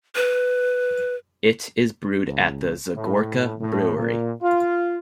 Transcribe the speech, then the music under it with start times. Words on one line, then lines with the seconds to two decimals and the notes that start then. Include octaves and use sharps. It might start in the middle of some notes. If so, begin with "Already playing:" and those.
It is brewed at the Zagorka Brewery.
0.16 B4
2.25 C#2
2.95 A2
3.61 A2
3.96 A#2
4.42 F4